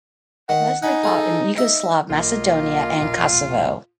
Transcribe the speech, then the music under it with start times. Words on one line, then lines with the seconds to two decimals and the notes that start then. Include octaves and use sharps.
It mostly fought in Yugoslav Macedonia and Kosovo.
0.49 D#3 F#5
0.82 D#4 F#5 G#5 B5
1.03 G#4 A4
1.57 D#4 E5
2.10 B1 A#3 F4 D#5
3.01 E1 A#1 A#2